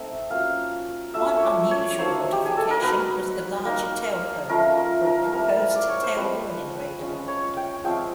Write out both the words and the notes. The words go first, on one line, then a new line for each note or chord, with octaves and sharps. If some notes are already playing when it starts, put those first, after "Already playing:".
One unusual modification was the larger tailcone for a proposed tail-warning radar.
Already playing: A3 C4 D#4 E5
F#3 A#3 C#4 F4 F5
F#3 A3 D4 F4 E5
C#5
D5
C#5
F#3 A#3 D4 C5
G4
G#4
A4
A#4
F#3 B3 D#4 B4
A#3 D#4 A#4
F3 A3 C#4 F4 A#4
A#4
A#4
G3 C4 E4 A#4
D5
C#5
C5
F3 G#3 C4 B4
G#3 C#4 F4
C#5
G5
F3 G#3 C4 F4 G5